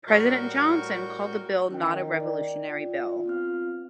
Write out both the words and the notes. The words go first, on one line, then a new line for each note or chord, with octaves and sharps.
President Johnson called the bill not a revolutionary bill.
A2 G3 F#4 A#4 C#6 G6
D#3 C#4 D#4 G5
D5 G5
F4
B3 C4 F6